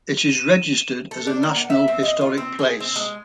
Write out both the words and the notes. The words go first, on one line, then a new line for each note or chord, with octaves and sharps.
It is registered as a National Historic Place.
D#7 E7
A4
D4
A#3
F#5
E5
C4
D#5
F4
C4
G#4
C4
G#3